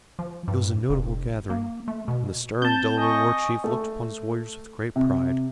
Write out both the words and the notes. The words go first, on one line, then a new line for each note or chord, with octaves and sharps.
It was a notable gathering, and the stern Delaware war-chief looked upon his warriors with great pride.
F3
G2
F1
A#3
A3
B2
C4 A5 G6
D#5 G#5 C#6
A3
C3